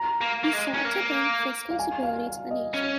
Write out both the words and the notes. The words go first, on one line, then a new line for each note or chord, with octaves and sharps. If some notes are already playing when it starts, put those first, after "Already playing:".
He sought to bring fiscal stability to the nation.
Already playing: A#5
A#3
A#3
G#3
C#4
A#3
F5
G#5
F5
F5
D#5
C#4